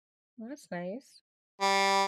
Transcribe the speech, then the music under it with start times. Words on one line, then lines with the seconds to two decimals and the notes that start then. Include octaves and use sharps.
Well, that's nice.
1.62 G3